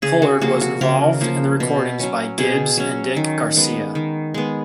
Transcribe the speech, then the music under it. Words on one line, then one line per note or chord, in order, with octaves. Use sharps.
Pollard was involved in recordings by Gibbs and Dick Garcia.
C#3 G#4
F#4
F3 A#3 F#4
F#4
C#3 A#4
F3 A#3
B2
F#3 C#4
B2 G#4
F#3 C#4
D#3
G#3 B3
D#3
G#3 B3